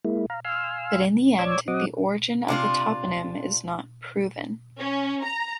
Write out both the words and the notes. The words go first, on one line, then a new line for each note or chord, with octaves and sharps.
But in the end, the origin of the toponym is not proven.
G#3 A#3 E4
F5 A#5
F5 G#5 C6 E6 F6
C#5 D5 D6 E6 G#6
F#3 C4 D#5 F#5 D6 D#6
C3 D4 F4
C#4
A#5